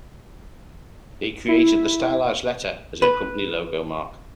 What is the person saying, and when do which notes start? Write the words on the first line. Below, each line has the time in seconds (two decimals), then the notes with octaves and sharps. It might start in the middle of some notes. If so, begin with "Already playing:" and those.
They created the stylized letter as their company logo mark.
1.48 E4
3.02 B4